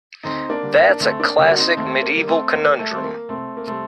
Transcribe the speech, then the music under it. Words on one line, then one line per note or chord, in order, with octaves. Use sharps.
That's a classic medieval conundrum.
D2 C4 D#4
A#3 D4
D3 G3
A#3
D4
D2 A3 C4
A#3 D4
D3 G3 A#3 D4
F#4
C4 D#4
D#2 A3 C4
A#3
D#3 G3
A3 C4
D#2 A#3
A3
D#3 G3 C4
A#3
C2 A3 C4
A#3
C3 G3 A3 C4